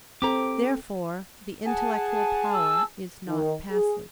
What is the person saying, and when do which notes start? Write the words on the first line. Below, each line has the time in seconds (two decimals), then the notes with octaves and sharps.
Therefore the intellectual power is not passive.
0.22 C4 G4 A4 C5 A#5 D6
1.66 G#4 F#5 G#5 A5
2.53 E6
3.28 D#3
3.70 G#4